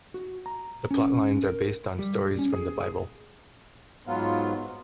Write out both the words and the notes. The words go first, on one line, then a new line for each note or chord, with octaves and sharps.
The plotlines are based on stories from the Bible.
F#4
A#5
C#4
A#4
G3
C#4
G#4
G#4
G#2 F#3 B3 F4